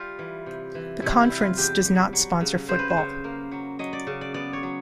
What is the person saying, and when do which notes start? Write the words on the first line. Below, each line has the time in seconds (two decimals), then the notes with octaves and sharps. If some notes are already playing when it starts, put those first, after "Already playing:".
The conference does not sponsor football.
Already playing: G3 F4
0.19 E3
0.46 C3
0.75 E3
1.02 C3 E4
1.21 E4
1.30 G3
1.40 F4
1.57 E2 G4
1.85 G3
2.13 F#3
2.41 C#3
2.68 C#3 C5
2.79 B4
2.90 C5
2.97 C#3
3.24 A#3
3.51 F#3
3.79 F#3 D#5
3.93 D5
4.07 C#3
4.21 D5
4.34 B3 D5
4.53 C#5
4.63 F#3